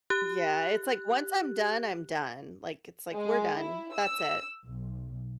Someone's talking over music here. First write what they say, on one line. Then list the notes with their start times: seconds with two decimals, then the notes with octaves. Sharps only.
Yeah, it's like once I'm done, I'm done, like, it's like, "We're done, that's it.
0.10 G4 F#6
3.12 G#3
3.58 E4
3.93 E6
4.65 B1